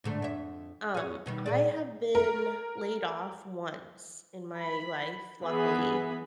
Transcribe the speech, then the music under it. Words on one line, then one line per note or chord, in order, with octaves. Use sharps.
Um, I have been laid off once in my life, luckily,
G#2 D3 A3
F2 E5
G#4 C#5
B2 D#3 G3
A#2 G#4 D5
A#4
B5
E3 B3 G#4 B5